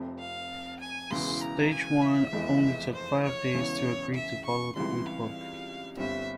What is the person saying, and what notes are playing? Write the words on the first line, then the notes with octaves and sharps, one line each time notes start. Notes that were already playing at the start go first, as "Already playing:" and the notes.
Stage I only took five days to agree to follow the Blue Book.
Already playing: F1 F2 C3
F5
G#5
E1 E2 C#3 E3 C6
A#5
G#5
E5
F1 E2 E3 G#3
C5
C#5
E1 E2 C#3 E3
E5
C#6
C#2 C3 E3 G3 C6
F5
G1 G2 G3 C4 E5